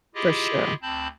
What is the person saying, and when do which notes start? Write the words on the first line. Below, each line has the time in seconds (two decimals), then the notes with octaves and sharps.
For sure.
0.15 E4 F4 G4 G#4 D#5
0.82 D2 C4 A5 B5 G6